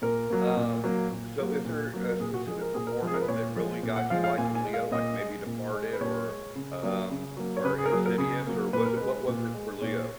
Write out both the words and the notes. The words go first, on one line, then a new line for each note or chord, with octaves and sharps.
Um, so is there a specific performance that really got you, like, in Leo, like, maybe Departed, or, um or Insidious, or was it what was it for Leo?
A#2 A#4
F#3 A#3
A#2
F#3 A#3
A#2
F#3 A#3
A#2
F#3 A#3
A#4
A#2 G#4
F#4
F3 G#3 G#4
A#4
A#2 G#4
A#4
F3 G#3
G#4
A#4
B4
A#2 C#5
F3 G#3
A#2
F#5
F3 G#3 F5
F5
A#2 G#5
G#5
G#3
F5
A#2 D#5
G#3
A#2
G#3
B4
A#2 C#5
G#3
C#3
F#3 A#3
C#3
F#3 A#3
C#5
C#3 B4
G#4
A#4
F#3 A#3 G#4
A#4
C#3 G#4
F#3 A#3
A#2 B4
A#4
G#3 B4
A#2
G#3
A#2 C#5